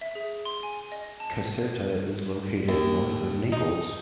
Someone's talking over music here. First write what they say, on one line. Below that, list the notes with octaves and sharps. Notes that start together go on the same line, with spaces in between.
Caserta is located north of Naples.
E5
G#4
C6
G#5
D#5
A5
D#2
D#4